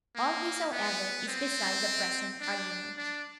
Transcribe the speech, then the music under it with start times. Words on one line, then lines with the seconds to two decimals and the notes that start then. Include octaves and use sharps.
All this, however, is beside the present argument.
0.16 A#3
0.72 B3
1.28 C4
2.41 D4
2.97 D4